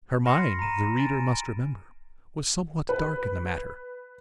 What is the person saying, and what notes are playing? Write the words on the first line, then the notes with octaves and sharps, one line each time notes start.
Her mind, the reader must remember, was somewhat dark in the matter.
B5 C6 F6 A#6 C7 C#7
A#5 B5 A#6 D#7 E7
G#5 A6 D7 D#7
B4